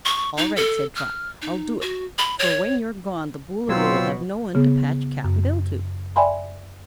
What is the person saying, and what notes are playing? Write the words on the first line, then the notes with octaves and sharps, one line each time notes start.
"All right," said Trot; "I'll do it; for when you're gone the Boolooroo will have no one to patch Cap'n Bill to."
C#6
D#4
A4
F6
D#4
F#4
B5
C#5
B2 F#3 C4 F4 E6
C#3 B3 G#4
F#2
D5 E5 G5 G#5 B5 C6